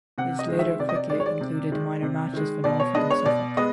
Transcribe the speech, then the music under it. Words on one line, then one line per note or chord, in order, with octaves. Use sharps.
His later cricket included minor matches for Norfolk and Suffolk.
C3 F#5
D#5
D#3 G#3
E5
C3 D5
D#5
D5
D#3 G#3 D5
C#5
D5
C3
D#3 G#3
C3
D#3 G#3
B2 D5
C#5
G#3 B3 D4 D#5
C#5
B2 D5
G#3 B3 D#5